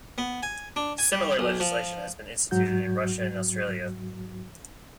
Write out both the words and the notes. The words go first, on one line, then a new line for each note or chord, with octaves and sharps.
Similar legislation has been instituted in Russia and Australia.
B3
G#5
D4
G#5
G3
B1
F3
G#2 F#3 F#4 G6